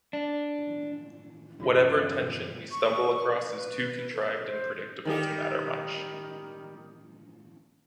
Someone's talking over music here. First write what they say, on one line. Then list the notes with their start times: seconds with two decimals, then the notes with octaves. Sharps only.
Whatever tension we stumble across is too contrived and predictable to matter much.
0.13 D4
1.60 E2 G2 C#3 G#3 F4 F#4 D5
2.71 C#6
3.52 B4
4.14 A4
4.43 C5
5.05 D#3 G3 G4